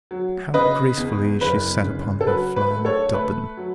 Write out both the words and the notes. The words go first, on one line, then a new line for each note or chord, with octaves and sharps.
How gracefully she sat upon her flying Dobbin!
F#3
C#3 B4 D#5
E2
F#1 B4
C#3
A4
F#3 B4
B4
A3
A4 C#5
A3 B4
F#3